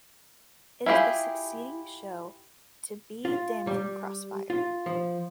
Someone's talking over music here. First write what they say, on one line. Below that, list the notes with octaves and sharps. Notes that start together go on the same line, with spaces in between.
It is the succeeding show to B-Daman Crossfire.
E4 F4 G4 G#4
F4
G3
F4
F3